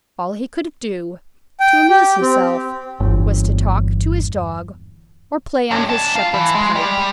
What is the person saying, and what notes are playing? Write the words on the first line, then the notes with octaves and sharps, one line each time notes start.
All he could do to amuse himself was to talk to his dog or play on his shepherd's pipe.
G5
G4
C4
G1 E2
G2 C#4
A#3 A5
F4 F5
E3
G#3
G3